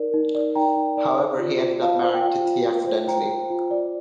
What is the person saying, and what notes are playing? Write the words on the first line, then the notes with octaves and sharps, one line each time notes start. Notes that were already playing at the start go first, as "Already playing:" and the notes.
However he ends up marrying Tithi accidentally.
Already playing: D#4 A#4 D5
D#4
D5
D#4 G5 A#5
D#4
D5
C5
F4
C5
F4 F5 A5
C5
G5
F4
F4
F4
C5
C5 G5 A#5
C5
F4
D5